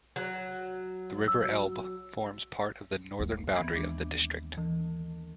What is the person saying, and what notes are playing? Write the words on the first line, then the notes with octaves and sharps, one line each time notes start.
The river Elbe forms part of the northern boundary of the district.
F#3
E6
D#2
D#3 E3 B3
G#3 D4
E3